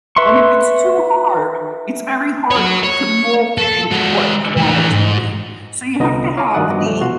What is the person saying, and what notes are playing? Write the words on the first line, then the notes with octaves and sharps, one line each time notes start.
and if it's too hard, it's very hard to mold it into what you want it to be. So, you have to have the,
B4 E5 C6 C#6
F#4 C#5
C#5
A4
G#3 F#4
E3 A3
G#2
C2 D3 B3 F4 D#5 A#5
C#5 F5 D6
G2 D#3 F#4 D5 D#6 F#6
G2 F3 B3 F#4 D#5 D6
C2 F3 G3 A3
B2 F4 F#4 C6